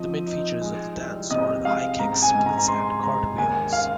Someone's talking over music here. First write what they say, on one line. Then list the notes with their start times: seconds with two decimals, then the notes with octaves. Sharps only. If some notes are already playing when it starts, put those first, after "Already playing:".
The main features of the dance are the high kicks, splits and cartwheels.
Already playing: F3 C4 D#4 D#5
0.27 D#4
0.61 G#3
0.96 C2
1.30 C3 D#5
1.65 G#3 F5
1.99 G#2 A#5
2.22 G#5
2.35 G#2
2.46 A#5
2.57 A#5
2.68 G#3 C6
3.03 G#2 A#5
3.38 D#2 G#5
3.73 F5